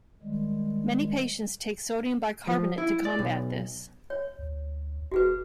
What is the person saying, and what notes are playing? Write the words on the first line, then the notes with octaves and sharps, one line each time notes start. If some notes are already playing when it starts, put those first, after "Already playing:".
Many patients take sodium bicarbonate to combat this.
D#3 G3 G#3
F3
E4
D5
B1
C#5
D2
E1 F#4 G#4 B4